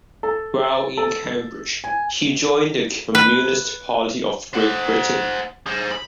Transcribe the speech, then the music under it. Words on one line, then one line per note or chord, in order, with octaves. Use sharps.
While in Cambridge he joined the Communist Party of Great Britain.
A4
A4
G#5
B4
C5 F#5
G#4 C5
B5